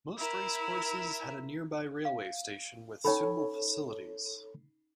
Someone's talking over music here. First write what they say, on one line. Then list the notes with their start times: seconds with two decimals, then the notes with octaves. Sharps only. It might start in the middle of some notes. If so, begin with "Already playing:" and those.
Most racecourses had a nearby railway station with suitable facilities.
0.17 E4 A#4 E5
2.05 F5
3.05 C#4 D#4 A4 C#5 B5